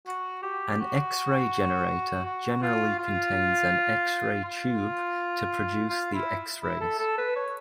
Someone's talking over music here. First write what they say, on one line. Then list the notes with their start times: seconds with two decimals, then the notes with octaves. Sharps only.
An X-ray generator generally contains an X-ray tube to produce the X-rays.
0.07 F#4
0.43 G4
0.80 F#4
2.26 F#4
2.62 F4
2.99 F4
4.45 F4
5.90 F4
6.14 E4
6.63 E4
6.81 A4
6.99 A4
7.18 B4
7.36 C#5